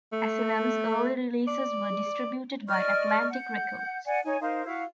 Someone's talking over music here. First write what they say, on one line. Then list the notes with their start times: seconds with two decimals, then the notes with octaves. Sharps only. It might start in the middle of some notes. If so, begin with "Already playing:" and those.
Asylum's early releases were distributed by Atlantic Records.
0.13 A3
1.48 D5
2.67 D5 D#5 C#6 F6
3.31 F#5 G6
4.06 D5 F#5 G#5
4.25 D#4 C#5 G#5
4.40 D#4 A#4 C5 F5
4.66 E4 F#4 F5